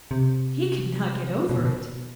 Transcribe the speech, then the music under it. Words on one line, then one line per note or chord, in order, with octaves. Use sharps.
He could not get over it.
C3
B2
A#2
B2